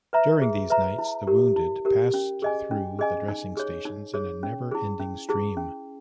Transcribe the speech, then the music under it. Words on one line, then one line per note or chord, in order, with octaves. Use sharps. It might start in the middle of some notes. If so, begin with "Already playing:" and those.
During these nights the wounded passed through the dressing stations in a never-ending stream.
B4 E5 A#5
G#4
B4 E5 A#5
E4
G4 A#4
E4
G4 A#4
C#4
G#4 D#5 G#5
C#4
G#4 D#5 G#5
D#4
G#4 C#5
D#4
G#4 C#5
C#4
E4 G#4
C#4
E4 G#4
C#4